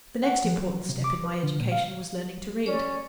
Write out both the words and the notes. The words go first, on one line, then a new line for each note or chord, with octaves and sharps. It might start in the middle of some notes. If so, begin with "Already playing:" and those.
The next important step in my education was learning to read.
F#5
F3
F#3
C3
D6
B4
D3
A#2
F5
C#4 C#5 D5